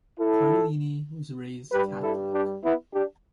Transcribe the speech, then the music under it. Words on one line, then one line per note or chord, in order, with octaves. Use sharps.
Cardellini was raised Catholic.
E4 A4
G2 G3 G4 B4
E4 A4
D4 G4
B3 E4
D4 G4